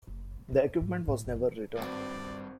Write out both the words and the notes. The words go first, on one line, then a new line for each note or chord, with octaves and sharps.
The equipment was never returned.
F#1
G#3
G#2
A2
F#1
E2
G#1 G2 C4 F#4 D5